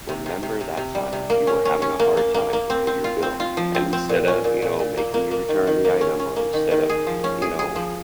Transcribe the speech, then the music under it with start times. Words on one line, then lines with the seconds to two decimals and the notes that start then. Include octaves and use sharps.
Remember that time you were having a hard time to pay your bill, and instead of," you know, "making you return the item, or instead of," you know, "g
0.09 C3
0.26 C3
0.43 C3
0.61 C3
0.77 C3
0.95 G3
1.13 C3
1.30 A#3
1.47 C#4
1.65 C#4
1.82 C#4
1.99 A#3
2.17 A#3
2.34 A#3
2.53 A#3
2.70 C4
2.87 C4
3.04 F4
3.23 C4
3.40 F4
3.57 F3
3.75 C4
3.93 C4
4.09 A#2
4.28 C#4
4.44 A#2
4.62 A#2
4.79 A#2
4.97 A#3
5.14 A#3
5.31 A#3
5.49 D#3
5.67 D#3
5.85 A#3
6.01 C#4
6.20 C#4
6.36 A#3
6.53 D#3
6.71 D#3
6.89 G#4
7.06 F3
7.24 C#4
7.42 G#4
7.59 G#4
7.76 F3